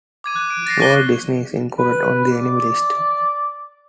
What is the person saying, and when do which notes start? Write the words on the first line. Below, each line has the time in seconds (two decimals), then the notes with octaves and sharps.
Walt Disney is included on the Enemy List.
0.24 D6 G#6 D#7
0.36 F#6 D#7
0.50 D7
0.66 A6 A#6 C7
0.79 C#6 D6 F#6 A#6 D#7 G7
1.78 B4
2.32 D5